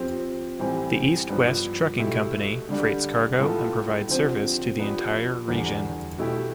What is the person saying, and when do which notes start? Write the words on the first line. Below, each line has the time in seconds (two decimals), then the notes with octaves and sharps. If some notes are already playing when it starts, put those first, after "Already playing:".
The East-West Trucking company freights cargo and provides service to the entire region.
Already playing: F3 C4 G4
0.59 A2 E3 G3 C4 G4
1.29 G2 F3 B3
1.99 B2 A3 E4 G4
2.69 D3 G3 D4 G4
3.39 A2 G3 B3 F4 A4
4.08 D3 F3 C4 G4
4.78 F3 B3 D4 G4
5.48 E2 D3 G3
6.18 B2 A3 E4 G4